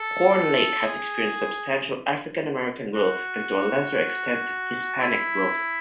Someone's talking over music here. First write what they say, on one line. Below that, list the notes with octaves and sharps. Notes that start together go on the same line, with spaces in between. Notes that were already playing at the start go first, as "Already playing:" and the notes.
Horn Lake has experienced substantial African-American growth and to a lesser extent Hispanic growth.
Already playing: A4
G#4
F#4
E4